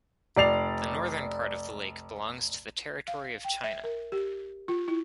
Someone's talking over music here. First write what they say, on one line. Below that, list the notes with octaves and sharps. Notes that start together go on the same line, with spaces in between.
The northern part of the lake belongs to the territory of China.
F1 D5 C7 F7
F5
G5
E5
A#4
G4
F4
E4